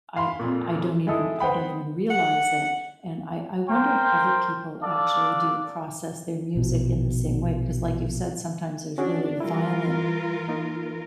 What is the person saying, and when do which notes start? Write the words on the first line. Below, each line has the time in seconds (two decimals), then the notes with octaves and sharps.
I I don't even I don't even realize it, and I I wonder if other people actually do process their music in the same way, because like you've said, sometimes there's really violent
0.16 F5 B5 C6
0.39 F2 A#2
1.07 G#3 E4 A4 D#6
1.40 B4 C5 F#5 G5 B5
2.10 F#5
3.69 A#4 C5 G5
4.83 D4 A4 D5 F5
6.55 A#1 B2
8.98 C#4 D4 F#4 G#4
9.40 E3 G3 E4 F4 A#4
10.48 A#3 D#4